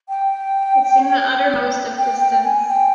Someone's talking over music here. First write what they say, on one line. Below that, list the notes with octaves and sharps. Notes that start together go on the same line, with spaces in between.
It seemed the utter-most of distance.
G5
G5
G5
G#5
G5